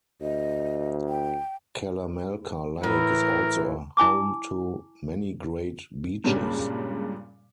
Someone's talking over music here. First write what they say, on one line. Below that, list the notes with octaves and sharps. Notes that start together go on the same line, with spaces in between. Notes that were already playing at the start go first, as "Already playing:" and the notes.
Kalamalka Lake is also a home to many great beaches.
D2 D#5
G5
A2 E3 A#4
E4 G#5 A5 D6
G2 A#2 C#3 G3 G#3